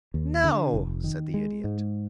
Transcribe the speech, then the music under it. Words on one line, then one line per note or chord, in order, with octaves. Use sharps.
"No," said the Idiot.
D#2
D3
F1
D#3
G#3
G#2